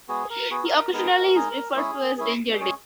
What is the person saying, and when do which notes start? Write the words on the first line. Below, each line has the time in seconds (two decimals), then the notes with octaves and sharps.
He occasionally is referred to as 'Danger Dave'.
0.08 G#3 B3 F#4 G#4
0.30 A#4
0.50 B3 F#4 G#4
0.64 A#4
0.78 A#4
0.93 G#3 B3 D#4 G#4 A#4
1.35 G#3 D#4 G#4
1.76 G#3 C#4 E4 G#4
2.18 C#4 E4 G#4
2.59 G#3 C#4 G#4